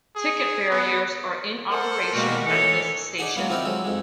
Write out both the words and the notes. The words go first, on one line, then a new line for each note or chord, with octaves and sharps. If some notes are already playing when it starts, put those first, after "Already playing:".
Ticket barriers are in operation at this station.
G#4
B3
A4 A#4 C5 F#5
B2 G3 G#3 A#3 F#4
E3 D#4 A4 C#5 C#7
D4 D#4 G#4 F#5 G#5
F#3 G#3 A#3 B3
F3 C4 D#4 E4 A#4 D5
F#3 G#3 A4
F2 G#2 G#3